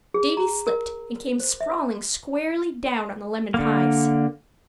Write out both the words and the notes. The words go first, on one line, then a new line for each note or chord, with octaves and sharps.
Davy slipped and came sprawling squarely down on the lemon pies.
G#4
A#5
A#4
C5
E5
D3 A#3